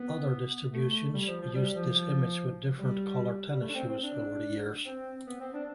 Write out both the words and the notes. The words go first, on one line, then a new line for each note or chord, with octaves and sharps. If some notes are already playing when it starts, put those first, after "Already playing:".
Other distributions used this image with different colored tennis shoes over the years.
Already playing: B3
A3
G3
F3
F3
G3
F3
G3
G3
A3
D4
C4
C4
D4
C4
B3
C4
D4